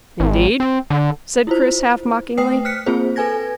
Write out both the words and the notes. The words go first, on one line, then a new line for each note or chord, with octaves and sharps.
"Indeed?" said Chris half mockingly.
G#1
C4
D3
E4 F4 C5
A3 B4 C5 G5 D#6 C7
F6 F#6 B6 C#7
A#3 C4 F4 G#4 C5
A4 B4 G#5 G#6 A#6